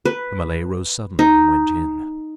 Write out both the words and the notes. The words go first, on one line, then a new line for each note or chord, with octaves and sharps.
The Malay rose suddenly and went in.
B4
D#4